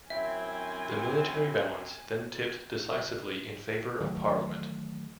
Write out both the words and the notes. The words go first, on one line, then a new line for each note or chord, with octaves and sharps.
The military balance then tipped decisively in favour of Parliament.
F#2 C4 E4 E5 G5 G#5
D#3 E3 F#3 A3